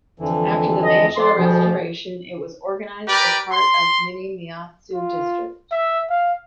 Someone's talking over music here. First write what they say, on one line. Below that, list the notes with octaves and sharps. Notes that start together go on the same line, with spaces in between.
After the Meiji Restoration, it was organized as part of Minamiaizu District.
F2 D3 E3
D#5
F2 D5 C6
D2 B2 F3 G3 G#4
G4 A#4 B4 D5
C6
F4
E5
F5